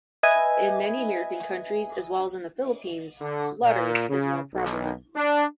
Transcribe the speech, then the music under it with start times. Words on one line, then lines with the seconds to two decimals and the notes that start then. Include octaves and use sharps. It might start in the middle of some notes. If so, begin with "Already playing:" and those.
In many American countries as well as in The Philippines, 'Letter' is more prevalent.
0.23 B4 D#5 E5 G#5
3.21 D3
3.63 A#2
4.09 C#3
4.54 B1
5.16 D4